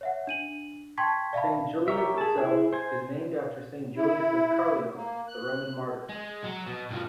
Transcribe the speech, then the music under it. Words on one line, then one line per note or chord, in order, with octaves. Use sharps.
Saint Julian's itself is named after Saint Julius of Caerleon, the Roman martyr.
C#5 E5 F#5
D4 D#7 F#7
G5 A5 C6 C#6 G#6 B6
D5 E5 F5 A5 B5
G4 A#4 C#5 E5
G#4 A5
E4 G#4
C5 G#5
E4
A#3
F#6
G#3
F#3
B2
G2 F3